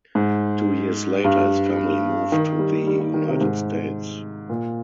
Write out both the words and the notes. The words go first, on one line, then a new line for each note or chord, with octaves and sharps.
Two years later his family moved to the United States.
G#2
G2
D#3
G3
G3
G3
D#3
C3
G#2
A#2